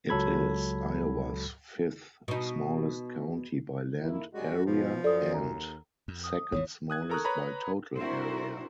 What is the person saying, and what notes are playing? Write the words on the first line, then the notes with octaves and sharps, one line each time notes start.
It is Iowa's fifth-smallest county by land area and second-smallest by total area.
C#2 F#3 A4 B5 G#6
B2 D#4
D#3 A#3 E4
F#2 G3 G#3 F#4
B2 F3
F#2 A4 D5 D#6
D#2 A#5
F2
D#6
G#1 E2 E3 C#5
D#6 F#6 G#6
A4 A#4 A#5 C#6 D#6 F#6
B4 C#5 A#5 B5
C4 D4 E4 F#4 A#4 C5